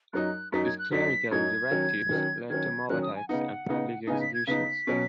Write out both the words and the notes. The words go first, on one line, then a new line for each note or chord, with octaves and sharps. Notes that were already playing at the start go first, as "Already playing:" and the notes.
These clerical directives led to mob attacks and public executions.
F#2 F#3 D#4 F#6
F#2 F#3 D#4 B6
G#6
F#6
F#2 F#3 D#4 B6
F#2 F#3 D#4 G#6
D#3 F#3 C#4
D#3 F#3 C#4
D#3 F#3 C#4 G#6
D#3 F#3 C#4 F#6
D#6
G#5
C#3 B3 D#4 F#5
C#3 B3 D#4
C#3 B3 D#4 G#5
B6
G#6
C#3 B3 D#4 B6
B2 F#3 C#4